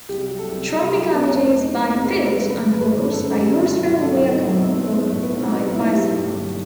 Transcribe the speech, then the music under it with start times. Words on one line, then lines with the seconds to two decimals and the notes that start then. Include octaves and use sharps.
Traffic on it is by foot, on horse, by horse-drawn vehicle, or by bicycle.
0.09 C2 G4
0.28 F#3
0.39 A4
0.49 C2
0.68 C2 A4
0.83 G4
0.89 F#3
0.98 G4
1.09 B2 B3
1.29 E2 A3
1.44 B3
1.50 E2
1.60 D#4
1.70 E2 C4
1.90 C3 C4
2.05 B4
2.11 C3
2.19 A4
2.31 C3 B4
2.50 G1 B4
2.70 G1
2.81 B4
2.90 D#3
3.10 F#2 A4
3.31 G1
3.40 G4
3.51 G1
3.71 B1 E4
3.86 F#4
3.92 B1
4.01 A4
4.12 F#3 F#4
4.32 F#3 D#4
4.47 B2 C4
4.62 C4
4.71 F#3
4.77 B3
4.92 B1 B3
5.07 A2 A3
5.23 B3
5.33 B1
5.38 C4
5.52 F#3 D#4
5.72 B1 E4
5.92 B1 G4
6.13 G2
6.33 G1